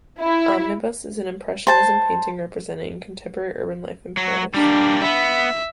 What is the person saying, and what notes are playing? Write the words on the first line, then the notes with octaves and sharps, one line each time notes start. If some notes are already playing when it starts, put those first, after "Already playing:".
Omnibus is an Impressionism painting representing contemporary urban life in Paris.
E4
C5 A5
F#3
G3 A#3 D4
B3 E5